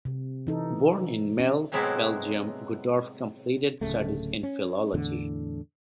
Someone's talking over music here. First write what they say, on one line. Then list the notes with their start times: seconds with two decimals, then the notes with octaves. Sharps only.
Born in Melle, Belgium, Guddorf completed studies in philology.
0.05 C3
0.47 E3 D#4 A4
1.39 C#4
1.72 A2 C3 F#3 G#3 B3 E4
3.81 D1 C2 C#3 A3
4.43 C#4
4.94 E2 A2 D3